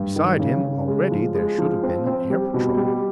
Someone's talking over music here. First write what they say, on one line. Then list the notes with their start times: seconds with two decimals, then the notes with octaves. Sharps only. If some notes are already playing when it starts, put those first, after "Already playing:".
Beside him, already, there should have been an air patrol.
Already playing: G2
0.16 D#3
0.40 C#3
0.64 C#3
0.88 G#3
1.11 F3
1.35 G#3
1.58 F3
1.83 C4
2.07 C4
2.30 G3
2.54 B2
2.77 G3